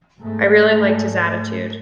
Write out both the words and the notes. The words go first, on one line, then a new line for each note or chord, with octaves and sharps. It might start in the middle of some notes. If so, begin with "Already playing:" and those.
I really liked his attitude.
G#2 G#3 A3